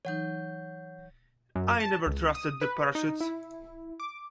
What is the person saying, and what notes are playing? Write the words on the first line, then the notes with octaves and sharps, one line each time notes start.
I never trusted the parachutes.
E3 F#3 D#4 C#5 F#5 G6
F#2
A5
C#2
D#6
B4
D#4
E4
D6